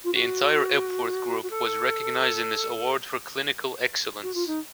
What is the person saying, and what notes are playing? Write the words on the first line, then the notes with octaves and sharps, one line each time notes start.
The entire Epworth group was recognised in this award for clinical excellence.
F4
F#4
F#4
A4
F#4
F4
D#4